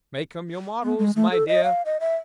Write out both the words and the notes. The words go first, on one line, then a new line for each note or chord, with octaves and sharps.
Make 'em your models, my dear.
B3
G#3
A3
A4
D#5
F5
D#5
E5